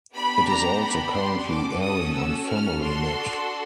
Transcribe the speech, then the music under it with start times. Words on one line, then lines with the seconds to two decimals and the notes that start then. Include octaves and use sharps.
It is also currently airing on Family Net.
0.14 B3 D4 G4 B5
0.48 A#5
0.80 B5
1.14 C6
1.47 C#4 F#4 A4 D6
1.81 D#6
2.14 E6
2.48 F6
2.81 D4 F#4 A4 C6